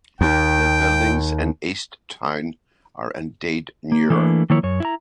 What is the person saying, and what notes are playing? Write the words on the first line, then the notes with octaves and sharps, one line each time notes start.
The buildings in East Town are indeed newer.
D#2 G5
A#3
E3 A3 A#3 C#4 D4 B4
D#3 F3 A#3 E4 C#5
F#2 C#5
E4 A#5